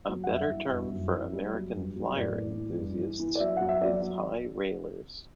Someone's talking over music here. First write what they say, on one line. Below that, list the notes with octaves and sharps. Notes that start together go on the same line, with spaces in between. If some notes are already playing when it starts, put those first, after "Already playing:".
A better term for American Flyer enthusiasts is Highrailers.
F#3
F#5
G2 E5
E3
G2
F#2
E3
G3
F#3
G2
F#3
A2 D5
A2
E3
G2
E3
E3
D5
F#3 E5
F#3 F#5
E5
F#3 D5
F#3